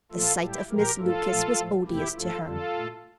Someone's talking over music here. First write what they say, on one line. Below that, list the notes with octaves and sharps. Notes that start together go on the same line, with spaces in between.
The sight of Miss Lucas was odious to her.
A#2 F3 A3 F4 A4
A2 G3 E4 G4
A#2 F3 A3 G4 A#4
G2 F3 A3 F4 A4
A#2 F3 A3
A2 F3 A3
E2 C3 E3 A3 E4 G4
G2 F3 A3 F4 A4
F2 D3 G3 F4 A4
A#2 A3